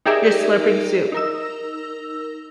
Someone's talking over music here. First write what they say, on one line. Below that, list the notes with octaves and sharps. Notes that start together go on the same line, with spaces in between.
you're slurping soup,
D#4 G4 G#4 A#4 D5 E5
D#4 A#4 E6